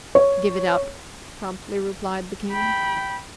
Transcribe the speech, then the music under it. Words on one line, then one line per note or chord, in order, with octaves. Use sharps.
"Give it up," promptly replied the King.
C#5
G5 B5